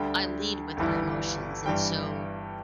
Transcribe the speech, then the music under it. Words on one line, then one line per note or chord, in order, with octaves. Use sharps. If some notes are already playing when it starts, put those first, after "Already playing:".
I lead with my emotions, and so,
Already playing: D2 D3 G3 G5
G1 G2 E3 G3 E4
G2 E3 G3 G5